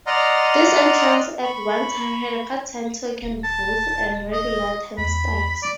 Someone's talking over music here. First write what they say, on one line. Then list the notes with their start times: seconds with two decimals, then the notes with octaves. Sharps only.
This entrance at one time had a part-time token booth and regular turnstiles.
0.07 D5 D#5 F#5 A#5 C6 F6
1.44 B5 C#6
3.22 D#1
3.43 A5
4.32 D#5
4.98 E2 B5
5.62 D5